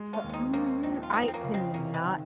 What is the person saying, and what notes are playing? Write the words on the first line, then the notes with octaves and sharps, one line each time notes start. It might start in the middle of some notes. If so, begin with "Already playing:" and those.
Uh, mhm, I cannot
Already playing: G#3
C#4 F4
D#2
C#4
C4 D#4
A#3 C4 C#4
A#1 C4 D#4
F4
F2 C4 D#4
C4
A#3 C#4
C#3
G#3 C4
C3 A#3 C#4
G#3 C4
D#3